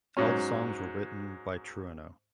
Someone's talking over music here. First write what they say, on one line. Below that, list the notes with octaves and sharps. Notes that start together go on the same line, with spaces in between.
All the songs were written by Trueno.
G#2 F#3 C#4